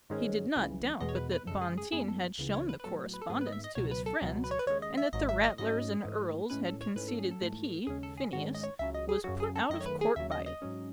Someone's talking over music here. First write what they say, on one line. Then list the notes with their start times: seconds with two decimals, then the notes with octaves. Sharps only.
He did not doubt but that Bonteen had shown the correspondence to his friends, and that the Ratlers and Erles had conceded that he, Phineas, was put out of court by it.
0.10 G#2 D#3 G#3 C#4
0.56 C#2 C#3 E3
1.00 E2 B2 G#3 B3 D#5
1.09 C#5
1.16 B4
1.32 B4
1.47 F#2 C#3 G#3 A4
1.61 G#4
1.78 G#4
1.92 F#2 E3 B3 G#4
2.08 A4
2.38 C#2 C#3 E3 B3
2.54 C#5
2.69 B4
2.80 B4
2.84 A2 F#3 B3 A4
3.14 B4
3.22 A4
3.29 G#2 D#3 G#3 B3 G#4
3.41 B4
3.47 D#5
3.52 E5
3.64 D#5
3.75 C#2 B2 F#3 C#5
3.91 B4
4.06 A4
4.22 C#2 B2 F#3 B3
4.44 B4
4.51 C#5
4.59 B4
4.66 D#2 C#3 G#3 C#5
4.82 D#5
4.97 E5
5.13 G#1 G#2 F#3 D#5
5.29 E5
5.43 D#5
5.58 G#2 F#3 C#4 D#5
6.05 G#2 E3 A3
6.50 A2 E3 G#3 C#4 B4
6.66 A4
6.81 C#5
6.96 G#2 E3 A3 C#4 B4
7.08 A4
7.19 G#4
7.31 A4
7.41 G#2 E3 A3
7.87 D#2 C#3 G#3 C#4 G#4
8.03 A4
8.17 G#4
8.33 G#2 D#3 G#3 C#4 F#4
8.55 D#5
8.64 C#5
8.79 C#2 C#3 F#3 E5
8.94 D#5
9.09 G#4
9.24 F#2 C#3 F#3 F#4
9.40 G#4
9.56 A4
9.70 F#2 D#3 A3 D#5
9.81 C#5
9.86 B4
10.01 G#4
10.16 D#2 C#3 F#3 E5
10.32 D#5
10.46 D#5
10.62 G#2 F#3 C#4